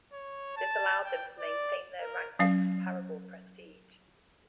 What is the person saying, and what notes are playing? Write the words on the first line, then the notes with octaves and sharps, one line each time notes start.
This allowed them to maintain their rank with comparable prestige.
C#5
A5
G5
D5
A#4
F#3 C#4 F5